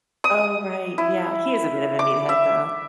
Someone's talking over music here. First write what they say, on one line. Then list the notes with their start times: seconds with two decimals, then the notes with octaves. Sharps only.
Oh, right yeah, he is a bit of a meathead, though.
0.24 D#6
0.98 E4
1.99 D6
2.29 E5